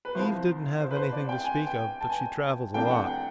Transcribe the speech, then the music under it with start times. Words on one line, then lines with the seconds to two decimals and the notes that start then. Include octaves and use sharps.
Eve didn't have anything to speak of, but she travelled a lot.
0.05 B4
0.15 C2 C3 F3 C5
0.80 C5
0.91 B4
0.96 C5
1.12 D5
1.29 G5
1.44 G#5
1.67 G5
2.01 A5
2.10 G#5
2.74 C2 C3 F3 A3 D4 G5
2.91 F#5
3.07 G5